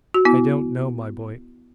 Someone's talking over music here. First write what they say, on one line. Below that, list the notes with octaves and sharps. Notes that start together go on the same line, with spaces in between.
"I don't know, my boy."
F#4
B3 E4